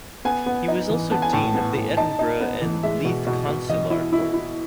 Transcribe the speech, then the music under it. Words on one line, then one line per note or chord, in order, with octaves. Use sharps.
He was also Dean of the Edinburgh and Leith Consular Corps.
B3 G#5
B3
D#4
E3
B3 A5
G#5
A2 A5
B3
A2
D#4 A5
D#4
B3
E3
G#3 E5
B2
B2
B2
E3 D#5
E4
E4
E4